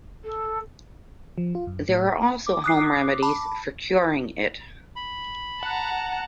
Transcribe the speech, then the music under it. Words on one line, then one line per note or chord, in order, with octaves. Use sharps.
There are also home remedies for "curing" it.
A4
F3
F4
F#2
A2
D6
D#6 F#6 C7
A5 B5
B5
F#5 A5 A#5